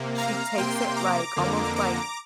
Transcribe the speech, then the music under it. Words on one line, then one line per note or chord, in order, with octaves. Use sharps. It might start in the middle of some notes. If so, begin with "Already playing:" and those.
She takes it, like, almost like
Already playing: C3 A#3
F5 A#5
C3 A#3 G5 C6
A#5 D6
F2 D3 A#3
A#5 D6